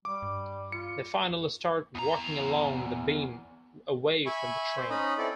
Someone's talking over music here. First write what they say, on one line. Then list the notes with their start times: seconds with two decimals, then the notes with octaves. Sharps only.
They finally start walking along the beam away from the train.
0.05 G3 D6
0.23 G2
0.72 F4 C#7
1.95 E2 A#5
4.26 E5 G#5 B5 C#6
4.77 C5
4.90 C#4 D#4 D#5 B5
5.18 C4 E4 A4 D5